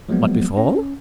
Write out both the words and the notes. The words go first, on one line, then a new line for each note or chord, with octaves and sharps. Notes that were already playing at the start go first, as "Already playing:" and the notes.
"But before--?"
F3 F#3 G#3 A#3 B3
C#4